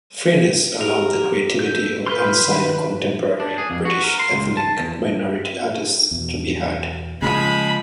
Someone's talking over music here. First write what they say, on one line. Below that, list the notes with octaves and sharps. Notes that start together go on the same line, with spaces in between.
Freeness allowed the creativity of unsigned contemporary British ethnic minority artists to be heard.
G4 A#4
A4 G6
B4 C6 F6 G6
D#3
D4
G#4
F2
F#4
A#4
C6
C#2
A5
E2
E2 B2
C#3 F3 G#3 A#3 C#4 B5